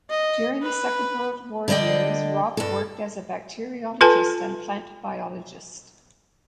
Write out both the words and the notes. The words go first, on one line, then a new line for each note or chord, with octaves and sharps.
During the Second World War years, Ropp worked as a bacteriologist and plant biologist.
D#5
B4
D3 G3 D5 D#5 G5
G2 A4
F4 A4 B4 G#5 A5